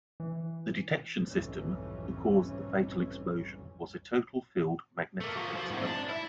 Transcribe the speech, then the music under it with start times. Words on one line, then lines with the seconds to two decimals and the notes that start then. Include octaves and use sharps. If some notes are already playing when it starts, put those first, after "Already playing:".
The detection system to cause the fatal explosion was a total field magnetic exploder.
0.20 E3
1.29 B1 F2 G#2 E3 G3 C#4
5.21 A3 A#3
5.36 F3 F#3
5.56 F3
5.71 G#2 C3
5.84 D4
6.09 E4